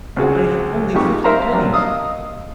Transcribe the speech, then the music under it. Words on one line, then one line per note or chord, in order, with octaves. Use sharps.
But I have only fifty pennies.
C#2 C4 F#4 G#4
F2 G#2 G4 C#6
A#4 C5 E5 F5 A#5
F#3 G3 A#3 D4
D#5 F5 D#6 E6